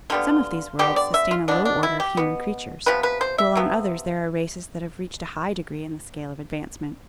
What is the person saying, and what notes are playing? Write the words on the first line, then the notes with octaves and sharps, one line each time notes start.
Some of these worlds sustain a low order of human creatures, while on others there are races that have reached a high degree in the scale of advancement.
D3 G3 B3 F4
D3 G3 B3 G4
D5
E5
F4
B2 B3 D4
D4
E4
G4
B2 B3
C3 F3 B3 B4
B4
C5
E5
C3 F3 B3